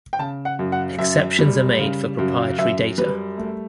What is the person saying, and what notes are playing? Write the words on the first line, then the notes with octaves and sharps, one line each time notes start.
Exceptions are made for proprietary data.
G5
C#3 A5
F#5
F#2
F#5
F#2 E5
G3
C#3
F#2
F#2 E5
G3 B4
A3